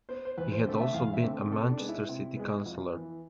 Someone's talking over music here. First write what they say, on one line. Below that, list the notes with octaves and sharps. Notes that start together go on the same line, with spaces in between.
He had also been a Manchester City Councillor.
B3 C5
C5
E2 B4
C5
D3 A3 C4
E5
E2 F5
E5
D3 A3 C4
C3 A4
D4
G#3 B3
E4
C3
G#3 B3
F2
E3 B3